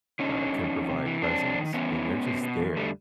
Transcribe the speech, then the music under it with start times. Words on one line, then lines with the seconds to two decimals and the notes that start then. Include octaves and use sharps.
uh, can provide presence and they're just there,
0.19 D3 C#4 D#4
0.37 D3
0.54 G2
0.71 F2
0.89 C3
1.06 E3
1.22 F2 C4 D4
1.40 C3
1.58 D#3
1.74 E3 B3 C#4
1.92 E3
2.09 G#2
2.25 B2
2.43 B2
2.60 E2
2.77 D3 G3 A3